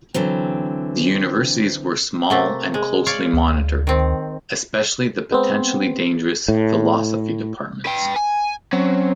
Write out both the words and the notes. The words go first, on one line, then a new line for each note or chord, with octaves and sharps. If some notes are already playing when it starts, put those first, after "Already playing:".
The universities were small and closely monitored, especially the potentially dangerous philosophy departments.
D3 E3 F#3 C4
C3 A3 A#3
G#3
C#5 D5 F5
D2
D#3 C4
G#3 B3 C4
A2
B4 G5
G#5
F#3 C4 C#4